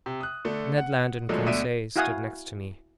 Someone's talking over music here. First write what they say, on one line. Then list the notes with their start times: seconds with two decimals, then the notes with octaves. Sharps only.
Ned Land and Conseil stood next to me.
0.06 C3
0.21 D#6 F#6
0.45 D3 A3
0.78 F#5
1.29 D3 F3 F#3 G#3 A3
1.46 D2 B2 D3 E5 D7 D#7
1.96 E4 F#4 F5 F#5 G#5 D#6